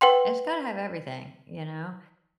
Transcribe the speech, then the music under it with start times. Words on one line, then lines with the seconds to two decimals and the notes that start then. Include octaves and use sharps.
it's gotta have everything, you know,
0.01 B4 F#5 G5 C6